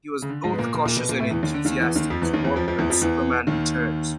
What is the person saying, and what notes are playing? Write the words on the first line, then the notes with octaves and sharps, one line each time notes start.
He was both cautious and enthusiastic to work on "Superman Returns".
C#3
D3
G#2 G#3
B3
A#2 A#3
A#2 A#3
A#2 A#3
B2 B3
A#2 A#3
A2 A3
E2 E3
D#2 D#3
D3
D#2 D#3
E2 E3
D#2 D#3
F2 F3
E2 E3
D#2 D#3
E2 E3
F2 F3
F2 F3
E2 E3
F2 F3
E2 E3
D#2 D#3